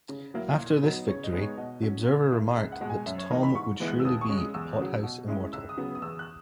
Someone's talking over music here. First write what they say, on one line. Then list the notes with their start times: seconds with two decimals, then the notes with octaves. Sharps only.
After this victory, The Observer remarked that Tom would surely be a 'Pothouse Immortal'.
0.09 C#3
0.34 F#3 A#3 E4
0.59 A#2
0.83 F#3 B3 D#4
1.08 C#3 C#5
1.24 D#5
1.33 G#3 B3 D#4
1.41 C#5
1.57 B2 D#5
1.82 F#3 C#4
2.07 A#2
2.32 A#3 E4
2.48 D#5
2.56 C#2 E5
2.72 F#5
2.81 B2 G#3
2.90 G#5
3.06 F#2 E5
3.18 C#5
3.30 E3 A#3 D#4 D#5
3.43 B5
3.55 G#2 C#6
3.80 E3 G#3 B3 E4
3.88 F#6
4.00 E6
4.05 D#2 D#6
4.21 C#6
4.29 C#3 G#3
4.38 D#6
4.54 E2 E6
4.79 C#3 F#3
5.03 B2
5.28 G#3 C#4 E4
5.53 C#2 E6
5.69 D#6
5.77 C#3 F#3 B3
5.95 D#6
6.02 E2 E6
6.19 F#6